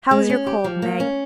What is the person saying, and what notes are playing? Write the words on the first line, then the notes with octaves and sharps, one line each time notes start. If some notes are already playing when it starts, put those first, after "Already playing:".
How is your cold, Meg?
G#3
C#4
G4
F3
A#3
C#4